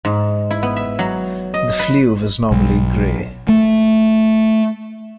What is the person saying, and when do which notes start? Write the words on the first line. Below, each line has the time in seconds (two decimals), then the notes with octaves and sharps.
The Fleuve is normally grey.
0.05 G#2
0.51 E4
0.63 B3
0.76 E5
0.99 F#3
1.54 D#5
1.79 B4
2.51 B1
3.49 A3